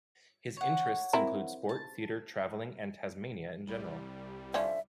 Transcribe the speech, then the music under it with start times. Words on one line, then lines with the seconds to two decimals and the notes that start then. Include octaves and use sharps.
His interests include sport, theatre, travelling and Tasmania in general.
0.57 C#5 F#5
1.13 C4 E4 A#4
1.69 A5
3.67 C2 G3
4.54 D3 F3 C#4 E5